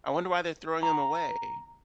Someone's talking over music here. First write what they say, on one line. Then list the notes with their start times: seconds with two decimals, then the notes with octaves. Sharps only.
I wonder why they're throwing 'em away.
0.83 A#5